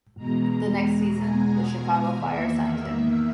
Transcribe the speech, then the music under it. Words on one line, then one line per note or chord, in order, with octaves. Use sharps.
The next season, the Chicago Fire signed him.
E2 B2 G#3 A#5
G#5
E2 D#3 A#3 E5